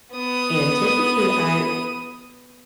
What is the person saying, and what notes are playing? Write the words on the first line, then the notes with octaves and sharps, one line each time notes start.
and typically I
B3 D#6